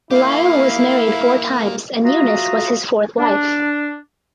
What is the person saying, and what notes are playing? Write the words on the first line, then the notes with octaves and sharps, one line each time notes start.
Lyle was married four times and Eunice was his fourth wife.
A#3 E4 G4 F5
F4 F#4 E5 A#5 D#6
D4